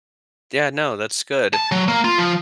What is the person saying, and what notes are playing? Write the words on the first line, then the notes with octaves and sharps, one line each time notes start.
Yeah, no, that's good.
A5
F#3
A#3
F4
F3